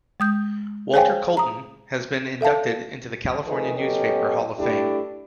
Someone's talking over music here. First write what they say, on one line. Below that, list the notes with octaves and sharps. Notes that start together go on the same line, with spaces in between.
Walter Colton has been inducted into the California Newspaper Hall of Fame.
G#3 D#6 G6
G#4 C5 C#5 F5 G5 G#5
A#5 D#6
A4 E5 F5 A5
D#3 F3 A3 G#4 B4
F#3 B3 C#4 G4 A4 D#5
G2 A3 D4 E4 G4